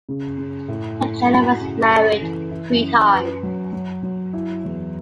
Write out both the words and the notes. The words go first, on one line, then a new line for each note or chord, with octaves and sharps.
Michener was married three times.
C#3
C#3
A2
A2
F#4
C#3
A4
E3
E4
F#2
B4
F#3
F#3
F#3
E4
E2